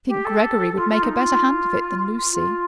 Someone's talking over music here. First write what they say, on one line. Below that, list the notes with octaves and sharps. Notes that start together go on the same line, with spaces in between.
"I think Gregory would make a better hand of it than Lucy."
G4
A4
F4
F4
D#4
F4
F4